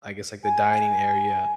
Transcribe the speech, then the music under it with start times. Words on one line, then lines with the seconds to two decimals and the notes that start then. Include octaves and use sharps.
I guess, like, the dining area
0.44 G#5